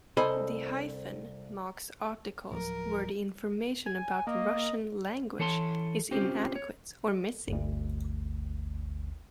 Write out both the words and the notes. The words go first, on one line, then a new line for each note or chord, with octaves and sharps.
The "-" marks articles where the information about Russian language is inadequate or missing.
C2 A4 C5 D#5 G#5 B5
D1 F3 F#3 A#4
G#5
A#3 D#5
E3 A4 C#5 A5 A#5 C6
C4 C#4 F4 G4 C5
C#5
G1 D2